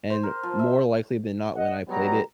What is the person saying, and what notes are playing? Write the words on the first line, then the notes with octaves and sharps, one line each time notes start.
and more likely than not when I played it,
C5
A#4
F3
E5
D#5 F#5
B2 F#3 G3 B3 A#5